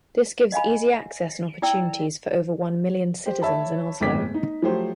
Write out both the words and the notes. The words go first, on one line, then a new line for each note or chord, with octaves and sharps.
This gives easy access and opportunities for over one million citizens in Oslo.
D#5 F5 G#5 B5
E4 D5 G5 E6
G4 C5
C#5 E5 A5 B5
D1 G1 F2 G#3 D6 B6
D#4
F3 F#3 A3 G4 C5